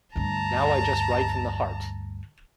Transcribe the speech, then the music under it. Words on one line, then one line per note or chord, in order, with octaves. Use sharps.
Now I just write from the heart.
D2 G2 A5 A#5